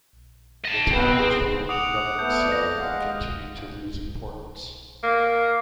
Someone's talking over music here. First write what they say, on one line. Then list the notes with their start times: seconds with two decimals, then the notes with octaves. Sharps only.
The town was the local government seat but continued to lose importance.
0.65 D#5 A5
0.91 B3 C4
1.18 G#4
1.69 F#5 D6 D#6 F7
2.19 A3 B3 A4 G6
2.39 F2 D5
2.52 E2 A#6
2.76 D#2 G#3 F5 F#5
5.04 A#3